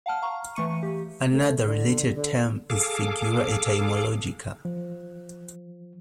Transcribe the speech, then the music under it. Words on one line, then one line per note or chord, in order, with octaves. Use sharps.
Another related term is figura etymologica.
F5 F#5 A5 F6
F5 A#5 C#6
E3 A3 C#6 C#7 D#7
G4
A3
D3
D3
G#4 A4 F5 D6
F3